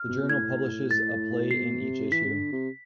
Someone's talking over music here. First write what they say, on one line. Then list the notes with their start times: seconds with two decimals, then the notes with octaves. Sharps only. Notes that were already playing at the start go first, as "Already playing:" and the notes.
The journal publishes a play in each issue.
Already playing: F6
0.09 B2
0.22 B2
0.29 A2 G#6
0.91 A6
1.51 B2 C7
1.81 C3
2.12 E3 B6
2.25 C3
2.32 D3
2.52 C3